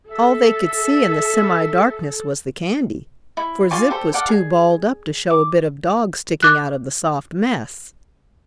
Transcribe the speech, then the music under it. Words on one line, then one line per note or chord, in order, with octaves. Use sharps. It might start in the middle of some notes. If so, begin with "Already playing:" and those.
All they could see in the semi-darkness was the candy, for Zip was too balled up to show a bit of dog sticking out of the soft mess.
A4 E5
E4
F4 D5 G#5 C#6
G4 A4 C5
A4 D5 F5 F#5
G#4
D6
D6 F#6